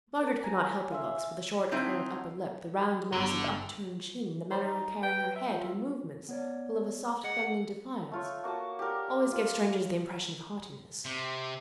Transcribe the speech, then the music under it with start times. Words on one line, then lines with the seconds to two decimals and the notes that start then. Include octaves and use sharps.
Margaret could not help her looks; but the short curled upper lip, the round, massive up-turned chin, the manner of carrying her head, her movements, full of a soft feminine defiance, always gave strangers the impression of haughtiness.
0.22 A#4
0.43 G#5 A#5
0.91 F4 E5 F5
1.71 D3 F#3 C4 D#4 E4 C5
3.12 G1 D3
4.51 C5 C#5
4.64 D#4 A#5
5.03 B4 G5
5.36 E5
5.50 F4
6.29 B3 C#5 D5
7.24 G#4 D#5 F#5
8.12 A3 F4 C#5
8.43 A#3 F#4 F#5 A5
8.79 G4 A4 A#4 D5
9.32 F4 F5
11.05 C3